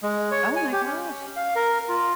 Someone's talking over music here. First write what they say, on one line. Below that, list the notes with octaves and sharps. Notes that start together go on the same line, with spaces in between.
Oh my gosh.
G#3
C#5
G#5
G4
C#4
F5
A#4
F4